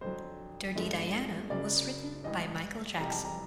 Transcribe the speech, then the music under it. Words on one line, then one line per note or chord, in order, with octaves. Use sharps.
"Dirty Diana" was written by Michael Jackson.
F2 D3 F#3 C5
G1 G2 D3 F3 G#3
F#1 F#2 C#3 F#3 D5
A1 G#2 E3 G3 D#5
F2 C3 E3 G3 A#5
A5
A#5